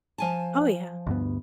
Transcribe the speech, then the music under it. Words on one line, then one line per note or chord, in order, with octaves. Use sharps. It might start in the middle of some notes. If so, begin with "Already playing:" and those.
Oh, yeah.
F3 G#5 A5
D2 G2 B3